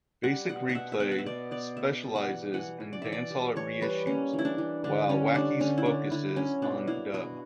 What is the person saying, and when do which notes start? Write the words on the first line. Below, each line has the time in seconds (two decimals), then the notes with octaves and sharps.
Basic Replay specialises in dancehall reissues, while Wackies focuses on dub.
0.24 G3 F#5
0.49 B2 F#5
0.69 F#5
0.75 B2 E5
0.92 E5
1.00 B3 F#5
1.11 F#5
1.19 E5
1.26 B2 D5
1.51 B3 D5
1.77 B3 E5
2.03 G3
2.15 F#5
2.28 E3
2.54 E3 F#5
2.80 E3
2.93 D5
3.02 E3 E5
3.12 D5
3.30 G3
3.56 E3 C#5
3.81 G3 B4
4.07 A#3 C#4
4.33 E3
4.39 E4
4.45 D4
4.58 E3
4.84 D3 D4
5.09 D3 C#4
5.34 G3 D4
5.60 D3 C#4
5.78 E4
5.86 D3 D4
6.11 D3 E4
6.36 F#3 C#4
6.62 B2 D4
6.87 A#3 E4
7.14 B2 F#4